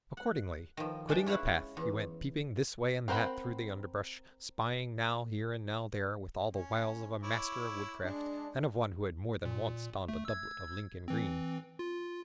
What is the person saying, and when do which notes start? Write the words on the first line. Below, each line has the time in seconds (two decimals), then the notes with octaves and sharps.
Accordingly, quitting the path, he went peeping this way and that through the underbrush, spying now here and now there, with all the wiles of a master of woodcraft, and of one who had more than once donned a doublet of Lincoln green.
0.17 F#5
0.77 D#3 F3
1.09 G#3 D4 E5 G5
1.26 C#4 E4 F5 F#5
1.77 E2
3.08 C4 A#4 C5 F#5 B5
6.53 C#4
7.23 E4 C#5 D6
8.04 G#3 D4
9.45 A#2
10.09 A3
10.25 E6 G#6
11.08 E3 C4
11.79 F4